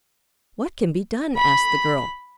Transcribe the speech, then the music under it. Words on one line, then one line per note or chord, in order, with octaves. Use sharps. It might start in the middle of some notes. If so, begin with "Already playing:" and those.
"What can be done?" asked the girl.
B5